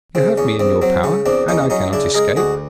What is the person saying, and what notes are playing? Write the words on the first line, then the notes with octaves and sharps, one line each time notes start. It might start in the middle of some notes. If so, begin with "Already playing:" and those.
'You have me in your power, and I cannot escape.
C#3 C4
E2 C#4
E2 C4
F#3 C4
C#3 C#4
E2 C4 D4
E2 C#4 D#4
F#3 C#4 D#4
C#3 D4 E4
G#3 G#4 A#4
D2 F#4 G#4